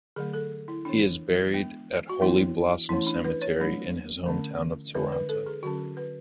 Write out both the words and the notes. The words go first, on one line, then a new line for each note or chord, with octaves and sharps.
He is buried at Holy Blossom Cemetery, in his home town of Toronto.
D3 F#3 A3 G#4
A4
E4
E3 B3 D4
G#3 B3 D4
F#4
E3 B3 D4 E4
E3 A3 C#4 E4
D4
B4
C#5
F#3 A3 D4
D3 A3 C#4
D3 G#3 D4 B4
B4
A4
G#4
D3 F#3 C#4 F#4
B4